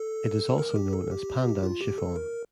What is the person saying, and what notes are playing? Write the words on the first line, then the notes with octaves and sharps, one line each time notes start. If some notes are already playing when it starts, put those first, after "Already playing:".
It is also known as pandan chiffon.
Already playing: A4
A#4
G4
A4
G4
F4
G4
A4
A#4